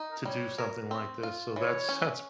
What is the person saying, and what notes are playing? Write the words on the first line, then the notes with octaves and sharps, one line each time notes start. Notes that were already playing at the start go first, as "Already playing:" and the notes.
to do something like this, so that's that's
Already playing: D#4
A#4
G3 C#5
A#4
C4
F4
E3 C#5
C#4